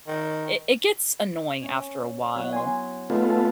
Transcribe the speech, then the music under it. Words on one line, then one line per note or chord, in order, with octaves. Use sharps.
i it gets annoying, after a while
D#3
C#4
F#3 B3 E4
G#5 C6
G#2 A3 B3 F4
A4 A5